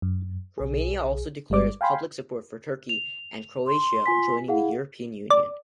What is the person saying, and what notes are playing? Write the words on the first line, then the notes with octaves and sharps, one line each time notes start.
Romania also declared its public support for Turkey, and Croatia joining the European Union.
F#2
B1 G#4
G1 G3 G#3 D5 D6
F5 G5 G#5 B5 C6
F7
C6
F4 G#5 B6
E4 G#4 F5 F#5
D5